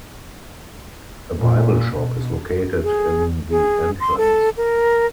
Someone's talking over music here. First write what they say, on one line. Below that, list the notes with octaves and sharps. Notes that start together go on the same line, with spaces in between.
A bible shop is located in the entrance.
A#2
B2
G#4
G#4
C6
A4
A#4